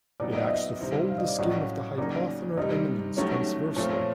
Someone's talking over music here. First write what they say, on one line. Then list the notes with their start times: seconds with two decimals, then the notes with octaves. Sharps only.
It acts to fold the skin of the hypothenar eminence transversally.
0.20 A#2 F#3 B3 D#4 D5
0.35 D#5
0.45 D#5
0.49 E5
0.79 C3 D#3 G3 C4 E4
1.09 F5
1.18 D#5
1.28 D5
1.38 A2 F#3 A3 C#4 F#4 D#5
1.98 C#3 F#3 A#3 D#4 D5
2.57 C3 D#3 G3 D#5
3.17 D#2 D#3 F#3 A3 C#4
3.76 A#2 F3 A3 C4 F4 C#5
3.95 C#5